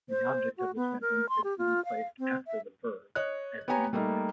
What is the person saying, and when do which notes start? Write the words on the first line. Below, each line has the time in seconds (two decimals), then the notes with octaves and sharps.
The object of the sentence is then placed after the verb, as in English.
0.10 C5
0.58 F#4
0.76 B3
1.01 A#4
1.29 C6
1.44 G4
1.58 F4
1.85 F5
2.19 C4
2.47 E5
3.15 C#5 D#5 F#6
3.68 B3 G4 C#5 G#5 A#5
3.93 G3 A3 A#3 D#4